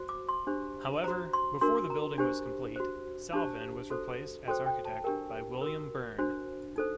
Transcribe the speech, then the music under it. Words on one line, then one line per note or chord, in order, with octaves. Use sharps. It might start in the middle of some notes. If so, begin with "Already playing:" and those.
However, before the building was complete, Salvin was replaced as architect by William Burn.
Already playing: F#4 C5
D6
C6
D4 G4 C5
F#4 C5 A#5
C6
D4 F#4 A#4 C6
A#5
D4 G4 C5
F#4 C5
D4 G4 C5 A5
F#4 A4 C5
F#4 A4 C5 G5
G5
A5
D4 G4 A#4 G5
F#4 A#4
D4 F#4 C5
D#4 A4 C5